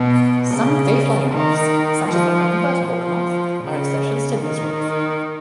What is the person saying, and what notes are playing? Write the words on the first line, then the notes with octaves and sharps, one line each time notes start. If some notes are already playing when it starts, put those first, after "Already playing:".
Some day-flying moths, such as the hummingbird hawk-moth, are exceptions to these rules.
Already playing: B2
C#3
D#3
F3
F3
C#3
D#3